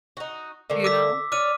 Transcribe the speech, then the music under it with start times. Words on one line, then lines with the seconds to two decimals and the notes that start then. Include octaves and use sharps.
You know?
0.17 D#4 F#4
0.70 D3 A3 A#3
0.84 D6 E6 B6
1.32 C#5 D5 D6 F6 D#7